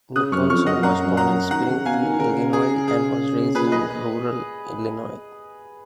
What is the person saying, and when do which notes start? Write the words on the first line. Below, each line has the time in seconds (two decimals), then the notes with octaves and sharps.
Nicholson was born in Springfield, Illinois, and was raised in rural Illinois.
0.16 C#3 D#6 F#6
0.32 F#2 C#6 F6
0.50 F2 C#6 F6
0.67 F#2 D#5 F#5
0.76 F2
0.83 F#2 F#5 A#5
1.06 F#2
1.17 F#5 A#5
1.29 F#2
1.51 D#3 F#5 A#5
1.69 C#3
1.85 B2 F5 G#5
2.03 D#3
2.20 C#3 A#4
2.53 G#4
2.88 G#4
3.55 A#2 G#4 B4
3.72 B4 D#5